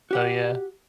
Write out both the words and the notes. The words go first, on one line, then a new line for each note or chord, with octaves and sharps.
So, yeah.
F#4 G4 F#5